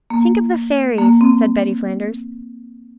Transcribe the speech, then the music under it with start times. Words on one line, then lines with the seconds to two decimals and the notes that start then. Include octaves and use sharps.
"Think of the fairies," said Betty Flanders.
0.10 A#3
0.98 A#3
1.21 C4